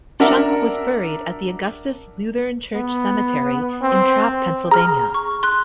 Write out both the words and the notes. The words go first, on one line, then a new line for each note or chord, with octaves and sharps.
Shunk was buried at Augustus Lutheran Church Cemetery in Trappe, Pennsylvania.
D4 A#4 E5 F#5 A#5
B3
C4
G#4 A#5 F6
C#6
C6 F#6